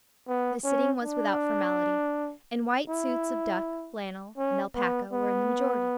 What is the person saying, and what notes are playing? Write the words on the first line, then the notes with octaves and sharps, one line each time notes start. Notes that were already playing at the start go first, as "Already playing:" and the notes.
The sitting was without formality, and white suits of duck, flannel and alpaca were in the majority.
B3
C#4
D4
E4
C#4
B3
B3